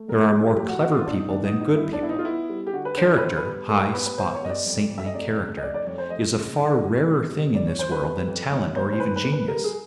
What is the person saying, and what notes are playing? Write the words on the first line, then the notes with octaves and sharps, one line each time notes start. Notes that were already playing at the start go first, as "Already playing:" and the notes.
There are more clever people than good people; character,--high, spotless, saintly character,--is a far rarer thing in this world than talent or even genius.
Already playing: A3
A#1 A#4
A4
A#1 G#4
G4
F3 G4
F#4
B3 F#4
F4
B3 D4
D#4
D#3 D4
D#4
B3
D#4
G2 E4
D4
B3 E4
D#4
F4
B3 E4
G3
G4
D3 F#4
B4
D3 C5
C#5
B4
B3 C5
B4
G3
G3 A#4
B3 B4
B4
B3 C5
C#5
G3 D#5
D5
F2
F2
E5
D#5
F1 D5
C#3
D#5
F1 D5
D5
F2 C#5
C5
F1 D#5
C#3
D#3
C3
G1
C3
G1 D5
C#5
G1 C5
B4
C3
F2
D#2 C#5
D#2 C5
C5
D#3 B4
B4
A#3
B4
G3 A#4
G#4